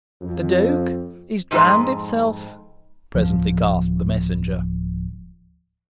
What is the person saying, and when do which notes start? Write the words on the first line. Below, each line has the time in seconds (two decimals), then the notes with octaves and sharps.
"The Duke, he's drowned himself," presently gasped the Messenger.
0.22 F2
1.51 F2 G#2
3.15 D1 F3